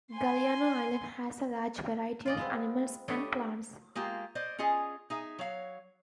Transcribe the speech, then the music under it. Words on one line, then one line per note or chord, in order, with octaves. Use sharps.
Galiano Island has a large variety of animals and plants.
G#5 C6
F4 D5 D#5
G#3 B3 C4
A3 D4 G4 B4 C#5 D#5
G#3 A#3 F4 G4
C5 D5 D#5
C#4 F4 G#4 D#5
D#4 G#4 E5
F#3 C#5 F5